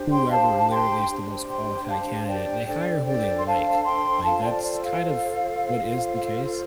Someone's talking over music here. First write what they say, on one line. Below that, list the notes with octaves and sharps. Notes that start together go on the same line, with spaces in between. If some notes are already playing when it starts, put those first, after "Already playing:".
whoever, literally, is the most qualified candidate. They hire who they like, lke, that's kind of, what is the case,
Already playing: D4 G4 C5
G5 C6
F5 A5
G5 C6
D4 G4 C5
G5 C6
F5 A5
D5 G5
D4 A4 C5 D5 G5
D5 G5
C6
F5 A5
G5 C6
F4 A4 C5 F5 A5
D5 G5
D5
F5
F4 A4 C5